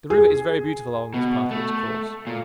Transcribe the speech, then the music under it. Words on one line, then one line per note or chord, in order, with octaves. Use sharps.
The river is very beautiful along this part of its course.
G#4
B2
A3
A#2